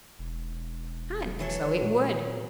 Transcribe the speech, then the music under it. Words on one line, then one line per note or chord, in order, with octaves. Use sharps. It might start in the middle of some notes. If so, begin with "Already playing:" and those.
And so it would.
E1
E3 F#3 A4
A#2